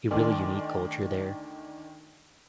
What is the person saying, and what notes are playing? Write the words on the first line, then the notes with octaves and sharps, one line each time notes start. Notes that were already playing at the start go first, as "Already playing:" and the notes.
a really unique culture there.
D2 D#3 D4 D5 G#5 C6